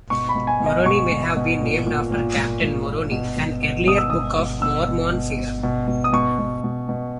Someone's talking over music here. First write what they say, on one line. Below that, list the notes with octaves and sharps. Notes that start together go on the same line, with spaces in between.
Moroni may have been named after Captain Moroni, an earlier Book of Mormon figure.
B2 C#6
B5
B2
G#5
B2
D#5
B2 C#6
B2
B2
A#2
A#2
A#2
A#2
A#2
A#2
B2
B2
B2
B2 D#6
E6
B2 D#6
B2
B2 E6
B2
B2
B2
B2
B2
D#6
B2 C#6
B2
B2
B2